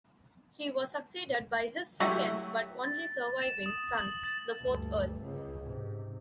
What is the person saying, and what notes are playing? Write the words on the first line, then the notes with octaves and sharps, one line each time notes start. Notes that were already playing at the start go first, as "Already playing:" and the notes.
He was succeeded by his second but only surviving son, the fourth Earl.
F#3 A3 E4 G4 E5 F#5
A6
E7
D#6
F#7
A6
D2 G2
C#2 C#3
G#2 C3